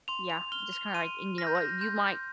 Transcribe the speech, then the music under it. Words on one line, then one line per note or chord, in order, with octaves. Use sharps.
Yeah, just kinda like and you know what? You might
C6 F7
F7
F6 G7
F7
C6 D#7
F6 A#6
G6
A#6
C6 G6